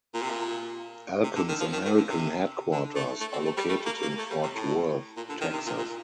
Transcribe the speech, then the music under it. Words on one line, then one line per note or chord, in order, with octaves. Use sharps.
Alcon's American headquarters are located in Fort Worth, Texas.
A#2
C3
A#2
C3
D3
D#3
F3
D#3
D#3
D3
C3
D3
A3
A3
C4
A3
G3
A3
A#3
A#3
A3
G3
C3
A2
A#2
D3
D#3
C3
A#2
A#2